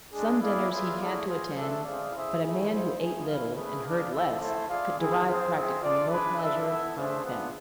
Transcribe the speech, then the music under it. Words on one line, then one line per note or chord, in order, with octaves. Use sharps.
Some dinners he had to attend, but a man who ate little and heard less could derive practically no pleasure from them.
G#3 D4 G#4
E4 G#4 B4 D5 F5
F4 G#4 B4 E5
A3 E4 G#4 D5 F5
F4 G#4 C5
A3 D4 A4 E5
G#3 C4 G#4 D5 F5
E4 G#4 C5 E5
A3 E4 G#4
E4 G#4 C5 F5
A3 E4 G#4
E4 B4 F5
A3 C4 G#4 B4
D4 G#4 D5 F5
E4 A4 C5 E5
A3 E4 A4 C5 E5
F4 G#4 D5 F5
C4 E4 G#4
C4 F4 G#4 C5
C4 F4 G#4 C5 E5
F4 A4 D5
D4 G#4 B4
D4 F4 A4 E5
B3 E4 A4 E5
A3 D4 G#4 C5 E5
G#3 B3 D4 F4 G#4